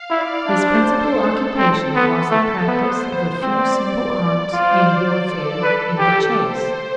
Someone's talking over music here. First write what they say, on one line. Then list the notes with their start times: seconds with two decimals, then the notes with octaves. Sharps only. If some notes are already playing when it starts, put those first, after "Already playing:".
His principal occupation was the practice of a few simple arts in warfare and the chase.
Already playing: F5
0.10 E4 D5
0.48 D4 C5
0.85 A4
1.57 C4 A4
1.95 B3 A4
2.31 A3
2.68 B3 C5
3.05 C5
3.42 C4 D5
4.16 D5
4.53 F4 C5
4.89 D5
5.26 A4
5.63 B4
5.99 G4
6.36 C5